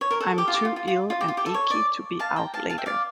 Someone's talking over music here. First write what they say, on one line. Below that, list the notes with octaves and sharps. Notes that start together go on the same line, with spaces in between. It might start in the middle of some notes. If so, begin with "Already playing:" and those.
I'm too ill and achy to be out later.
C#5
A#4
A4
G4
F4
G4
F4
F4
F4
F4
G4
F4
G4
A4
C#5
D5
F5 A5
G5 A#5
F5 A5
F5 A5
E5 G5
D5 F5